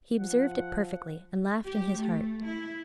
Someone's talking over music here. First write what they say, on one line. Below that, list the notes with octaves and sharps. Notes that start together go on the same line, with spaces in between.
He observed it perfectly, and laughed in his heart.
F3 F#5
G4
A3
E4